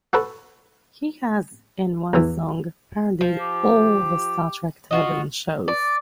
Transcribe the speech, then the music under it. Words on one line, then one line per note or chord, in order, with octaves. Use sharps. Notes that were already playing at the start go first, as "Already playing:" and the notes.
He has, in one song, parodied "all" the Star Trek television shows.
F#4 A4 B4
E2 E3
F3
G4
F4 F#4 D#5
D5